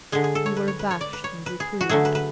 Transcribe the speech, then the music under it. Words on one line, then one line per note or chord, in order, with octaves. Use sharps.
We were abashed and reproved.
D3 G#3 G#4
G#4
A4
C#5
B4
C#5
B4
C#5
D5
B4
C#5
B4
G#4
F#4
D3 F#3 A3 G#4
B4
B4